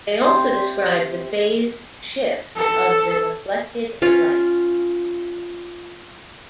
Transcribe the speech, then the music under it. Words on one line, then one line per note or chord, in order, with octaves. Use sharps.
They also describe the phase shift of the reflected light.
C3 C5
A4
C#4 F4 F5